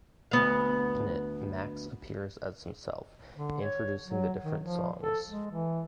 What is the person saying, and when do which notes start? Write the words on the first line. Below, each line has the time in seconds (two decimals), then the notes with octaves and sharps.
In it, Max appears as himself, introducing the different songs.
0.31 D2 B3 F5
3.34 D3
3.62 C#5
4.06 F#3
4.44 D#3
4.62 F3
5.02 A4
5.30 G#3
5.51 E3